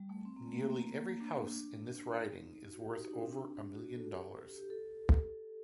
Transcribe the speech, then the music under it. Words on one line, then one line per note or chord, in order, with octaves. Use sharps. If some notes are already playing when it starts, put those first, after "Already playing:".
Nearly every house in this riding is worth over a million dollars.
Already playing: G3
A3
C4
A#3
A3
A#3
D4
D#4
F#4
G4
D#4
D4
C4
D4
F#4
A4
G4
G4
A4